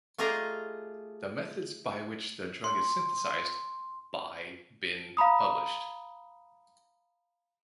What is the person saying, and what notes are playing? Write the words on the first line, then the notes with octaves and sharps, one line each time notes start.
The methods by which the drug is synthesized by been published.
A3 F4 G4 G#4 D#5 A#5
C6
F5 A#5 B5 D#6